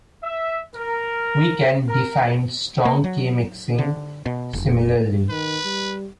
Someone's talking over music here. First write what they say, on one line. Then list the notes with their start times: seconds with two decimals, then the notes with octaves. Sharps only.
We can define strong k-mixing similarly.
0.23 E5
0.75 A#4
1.89 A#4
2.85 A#3
3.04 F#3
3.78 D3
4.26 B2
4.53 F1
5.30 D#3 B4
5.65 G3